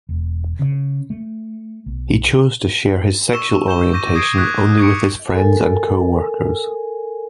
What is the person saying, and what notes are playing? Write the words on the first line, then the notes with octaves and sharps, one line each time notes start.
He chose to share his sexual orientation only with his friends and co-workers.
E1
C#3
A3
B1
C#6 E6 E7 G7
C#6 G6 E7 G7
C#6 D6 G6 A#6 D#7
D#6 G#6 A#6 C7 D7 D#7
C#6 D#6 F#6 G#6 B6
C#6 D#6 G#6 C#7 D7
A4 A#4 G#5